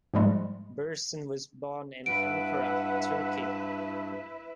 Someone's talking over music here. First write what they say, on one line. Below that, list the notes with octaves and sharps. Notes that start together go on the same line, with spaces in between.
Birsen was born in Ankara, Turkey.
G#2 F3 G3 G#3
G2 E4 B4 E5 F#5 D7